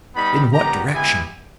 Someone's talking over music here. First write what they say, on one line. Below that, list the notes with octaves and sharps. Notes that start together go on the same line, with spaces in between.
"In what direction?"
G3 B3 D#4 B5
G3 B3 G4 A#5
G#3 B3 E4 G4 G#5